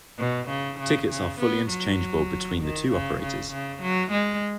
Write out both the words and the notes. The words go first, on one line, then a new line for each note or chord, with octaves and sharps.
Tickets are fully interchangeable between the two operators.
B2
C#3
C#3
C#3
B3
F#3
D#3
C#3
C#3
C#3
F#3
G#3